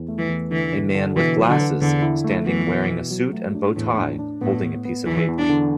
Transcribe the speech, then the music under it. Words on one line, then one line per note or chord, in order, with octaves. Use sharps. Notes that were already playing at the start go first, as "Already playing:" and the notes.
A man with glasses standing wearing a suit and bowtie holding a piece of paper.
Already playing: E2
A3
E3
E2
D3 E3
D3
D3
B2 E3
F#3
D3
B4
E2 D3
E4
A3
E3 B3
B2
B2
F#3
A3
D4
E2 A2
D4
D4
A2 B3
B3
B3
E2 E3
E2
D4
D3